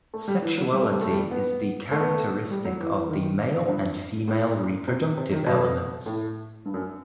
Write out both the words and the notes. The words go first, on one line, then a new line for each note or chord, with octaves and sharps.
Sexuality is the characteristic of the male and female reproductive elements.
A3
G3
E3
F#3
G3
A3
G3
A3
G3
B3
A3
B3
A3
G3
F#3
E3
E3
D#3
G2
A2
C3
D#3
C3
D#3
B2
A2
G2
F#2